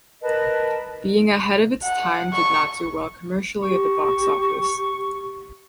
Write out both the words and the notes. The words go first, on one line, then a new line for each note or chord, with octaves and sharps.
Being ahead of its time did not do well commercially at the box office.
A#4 B4 D#5 A5
F#5
C#6
G4 C#6